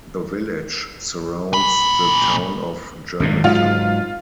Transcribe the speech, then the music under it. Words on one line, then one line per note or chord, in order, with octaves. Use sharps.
The village surrounds the Town of Germantown.
A#2 B5
G#1 F#2 A#2
G#2 F#3 F4